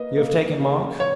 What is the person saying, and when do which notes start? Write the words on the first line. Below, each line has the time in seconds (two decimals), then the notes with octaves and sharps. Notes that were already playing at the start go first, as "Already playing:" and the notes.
"You have taken Monk?"
Already playing: A#3 B4 D#5
0.18 A#3
0.59 C#3
1.00 C#5